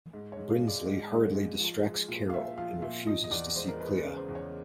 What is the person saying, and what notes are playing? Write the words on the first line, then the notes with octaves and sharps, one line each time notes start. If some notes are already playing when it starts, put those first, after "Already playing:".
Brindsley hurriedly distracts Carol, and refuses to see Clea.
G#2
C#5
G#2
F5
G#3
D5
G#2
G#2
G#2
F3
G#3
A#2
F5
A#2 E5
F3 F5
A#2 E5
F3 D#5
D#5
E2 D5
G#3 C5
A#4
G#3 B4
B4
C#3
C5
E2
C#5